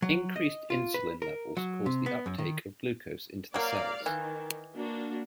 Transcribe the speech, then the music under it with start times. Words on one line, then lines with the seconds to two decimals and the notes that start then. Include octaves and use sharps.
Increased insulin levels cause the uptake of glucose into the cells.
0.02 F#3
0.36 D#5
0.70 F4
0.94 B4
1.22 A#4
1.57 F#3
1.86 C3
2.06 B3
2.26 F#2
2.38 D#3
3.54 F#3 A#3 D5 F5
4.06 D#3 E3
4.75 A#3 D4 F#4